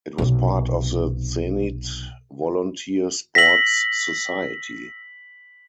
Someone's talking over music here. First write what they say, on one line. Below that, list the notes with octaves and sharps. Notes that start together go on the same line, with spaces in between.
It was part of the Zenit volunteer sports society.
B1 C3
E6 A#6 B6 F#7